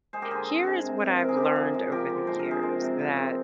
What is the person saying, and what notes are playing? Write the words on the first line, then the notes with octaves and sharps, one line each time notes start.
here is what I've learned over the years, that
G#3 G#4 C5
G4 A#4
D3 G#4 C5
C4
G#3
C3
C3
C3 A#4
G#4
C3 G4
F4 G#4
F3
G#3
F3 G4 A#4
D3
G#3 C5
A#4
C3
G#4 C5
G#3
C3
C3
C4